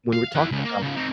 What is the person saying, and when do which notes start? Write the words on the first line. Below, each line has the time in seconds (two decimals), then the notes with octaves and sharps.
when we're talking about
0.13 F5
0.35 E4 F#5
0.51 C#2
0.64 A#3
0.82 C#3 F3
0.96 C4 D#4